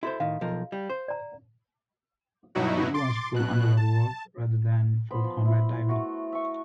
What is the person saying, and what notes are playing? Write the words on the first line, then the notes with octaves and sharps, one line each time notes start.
It was for underwater work rather than for combat diving.
E4 F#4 A4 C5
A2 D#3 F5
B1 F3 A#4
G3
C5
D5 A#5
G2 B2 F#3 D#4 E4 F#4
C6 D6 A6
B2 F#6
A5
B3 C5 B5
F3
E4
A3 F#4
E5 C#6